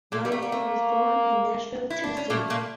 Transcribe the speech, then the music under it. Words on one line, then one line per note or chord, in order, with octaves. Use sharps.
Ryman was born in Nashville, Tennessee.
A#2 A#3
G3
A3 A#3
G3
A3
E4
D4
C#4
A#2 A3 A#3
A#2 A#3